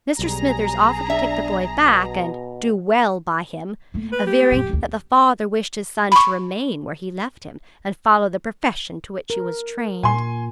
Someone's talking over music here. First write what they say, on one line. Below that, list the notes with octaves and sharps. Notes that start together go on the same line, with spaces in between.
Mr. Smithers offered to take the boy back and "do well by him," averring that the father wished his son to remain where he left him, and follow the profession to which he was trained.
B1 G3 G#4 A#5
D4 E5
B2
A3 A#3
B4
G4
F#2 A#2
F1 D2
B5 C#6
A#4
A#2 G#5 C6